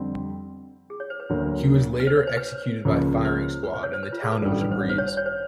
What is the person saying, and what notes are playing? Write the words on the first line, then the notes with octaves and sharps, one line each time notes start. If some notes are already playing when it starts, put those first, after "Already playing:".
He was later executed by firing squad in the town of Tabriz.
Already playing: F2 D3 G3 C4
G#4
C#5
C5
B4
D2 D3 F#3 A#3
B4
C5
C#5
C5
B4
C#2 C#3 F3 A#3
C5
B4
C5
C#5
C5
B4
F4
G#4
B4
A1 G2 D#3 G3 A#4
A4
B4
C5
C#5
C5
C#5
C5
C#5
C5